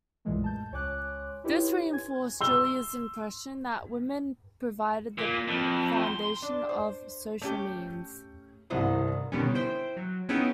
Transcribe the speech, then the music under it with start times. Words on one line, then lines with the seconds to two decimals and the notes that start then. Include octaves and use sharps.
This reinforced Julia's impression that women provided the foundation of social means.
0.25 B1 F#2 A#2 E3 G#3 A3
0.44 A5 G6
0.72 C#2 C#5 G#5 D6 F#6
1.44 D#4 E4 G4 B4 C#5
1.93 G#5 G#6
2.41 C6 E6 G7
5.18 A#2
5.48 F2
6.04 C6
6.42 D4
6.69 C5
7.41 A3 C#4 G4
8.70 C2 G2 C3 D#3 E4 C5
9.32 B2 D3 D#3 G3 B3 C#4
9.55 E4 C5 G5
9.97 F#3
10.29 B3 C#4 D#4 E4 G#4 G5